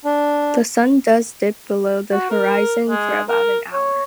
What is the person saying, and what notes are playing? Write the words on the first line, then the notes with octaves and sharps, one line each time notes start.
The sun does dip below the horizon for about an hour.
D4
F#4
A#4
G#3
A#4
C#5